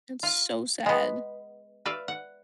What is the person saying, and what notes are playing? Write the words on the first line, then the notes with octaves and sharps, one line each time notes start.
It's so sad.
F4
G#3 B3
B4 D5 E5 F5
F#5